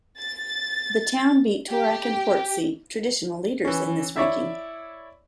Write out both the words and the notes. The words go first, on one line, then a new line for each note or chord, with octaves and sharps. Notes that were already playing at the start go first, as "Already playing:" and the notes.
The town beat Toorak and Portsea, traditional leaders in this ranking.
A6
G4
E3 C#4
E4 C#5 D5 E5